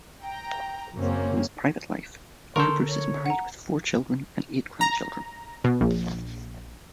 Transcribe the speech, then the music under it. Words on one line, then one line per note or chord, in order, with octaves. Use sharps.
In his private life, Earle Bruce is married with four children and eight grandchildren.
G5 A#5
F#2 C#3 A#3 C4 C#4
D3 A4 A#4 C6 C#6 G6
C#5
F#5 A#5
A#5
B2
A#1